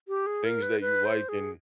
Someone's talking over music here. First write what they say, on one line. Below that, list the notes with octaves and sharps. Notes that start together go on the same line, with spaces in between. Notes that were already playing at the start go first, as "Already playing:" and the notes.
things that you like and
G4
G#4
A#4
B4
B4
C5
G#4